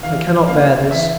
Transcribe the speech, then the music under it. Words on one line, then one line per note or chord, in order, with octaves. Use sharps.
I cannot bear this.
E3 F5
A#3 C#4 F5
E3 E5